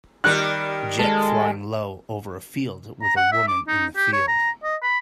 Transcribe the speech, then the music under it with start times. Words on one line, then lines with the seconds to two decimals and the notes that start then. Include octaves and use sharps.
Jet flying low over a field with a woman in the field.
0.24 D#3 G3 A#4 F#6
0.99 G#3 A4
3.02 A#5
3.16 F#5
3.32 E5
3.48 D6
3.68 D#4
3.96 G4
4.13 C#5
4.28 A#5
4.63 D#5
4.82 B5